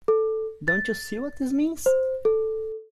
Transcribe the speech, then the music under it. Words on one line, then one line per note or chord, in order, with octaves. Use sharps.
Don't you see what this means?
A4
A6
C5
A4